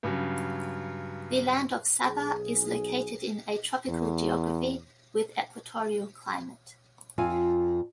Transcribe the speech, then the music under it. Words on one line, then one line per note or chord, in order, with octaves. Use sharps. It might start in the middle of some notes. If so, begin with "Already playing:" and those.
The land of Sabah is located in a tropical geography with equatorial climate.
G2 C#3 F#3
B1 G#4
E2
F2 F4 G#5